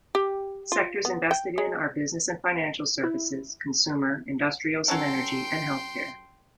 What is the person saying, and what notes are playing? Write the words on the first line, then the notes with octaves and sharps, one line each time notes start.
Sectors invested in are business and financial services, consumer, industrials and energy, and healthcare.
G4
F4
B3
G5
G#3
E4
F#3 C#4 A4 G5 C6